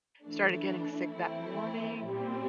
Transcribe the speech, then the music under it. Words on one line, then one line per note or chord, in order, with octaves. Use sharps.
started getting sick that morning,
E3 A3 D4
E3 A3 C4 E4
A#2 G3 C4